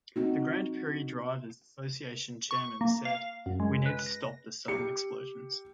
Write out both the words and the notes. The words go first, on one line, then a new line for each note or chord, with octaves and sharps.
The Grand Prix Drivers' Association chairman said: We need to stop the sudden explosions.
C4 D#4 F#4
C#6
A#3
F5
F#2
G#3
B4
A#6
G4 C#7